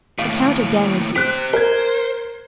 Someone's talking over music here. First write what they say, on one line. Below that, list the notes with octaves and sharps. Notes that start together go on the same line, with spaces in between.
The count again refused.
D#2 A2 F5
G4 C5 F#6 B6
A#4 C5 G#6